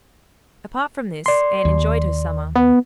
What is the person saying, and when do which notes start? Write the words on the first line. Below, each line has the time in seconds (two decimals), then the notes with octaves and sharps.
Apart from this, Anne enjoyed her summer.
1.26 D5 C6
1.65 D#2
2.56 B3